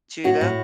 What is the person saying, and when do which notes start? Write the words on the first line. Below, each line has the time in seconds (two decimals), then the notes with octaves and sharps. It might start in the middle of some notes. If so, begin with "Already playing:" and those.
Chewed up.
0.24 A2 F#4
0.41 A2